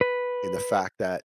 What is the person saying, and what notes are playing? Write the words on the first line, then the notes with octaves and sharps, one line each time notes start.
And the fact that
B4